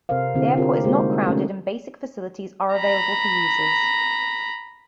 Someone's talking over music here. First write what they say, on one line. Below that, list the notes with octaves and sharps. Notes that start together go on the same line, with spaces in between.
The airport is not crowded and basic facilities are available for users.
C3 A4 A#4 C5 F5
D3 C4 E4 G4 A4
C4 F4 G4 G#4 A#4 C#5
G#3 A#3 F#4 G#4 C5
G3 D#4
A3 C#4 F#4 G4
A#5 B5